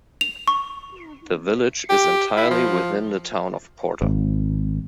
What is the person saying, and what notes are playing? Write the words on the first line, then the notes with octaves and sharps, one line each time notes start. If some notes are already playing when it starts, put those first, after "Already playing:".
The village is entirely within the town of Porter.
F7
C#6
G4
E4
F3
G#1